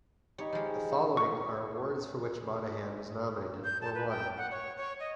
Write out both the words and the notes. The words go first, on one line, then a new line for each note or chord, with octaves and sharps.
The following are awards for which Monaghan was nominated, or won.
G3 D#4 C#5 B5
F3 G#3
C#6
G6
A5
B4
G5
F#5
C#5
C#5
D#5